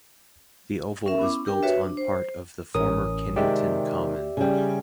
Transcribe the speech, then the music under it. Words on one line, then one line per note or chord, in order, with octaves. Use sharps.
The Oval is built on part of the former Kennington Common.
C#4 A#4 E5
B3 C#4 E4 D6
D4 G4 A#4 G5
F#4 B4 C#5 E5
D4
C5
A1 C#4 A#4 D#6
C3 D#3 G#3 G4 D5 E5
C#3 G3